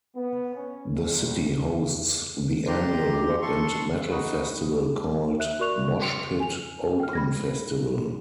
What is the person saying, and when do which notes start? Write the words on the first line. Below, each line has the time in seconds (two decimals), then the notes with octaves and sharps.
The city hosts the annual rock- and metalfestival called Moshpit Open Festival.
0.16 B3
0.55 C#4
0.95 C2
2.67 G4 D5 A#5 C6
3.42 A4 C6 C#6
4.11 D#4 F#4 B4
5.39 E5 F#6
5.59 F#4 A#4 D5 C#6 F#6 F7
6.02 G5 C6 C#7 D7 F7
6.40 G#5 F7
6.99 G5 F6
7.13 B5 G#6 A#6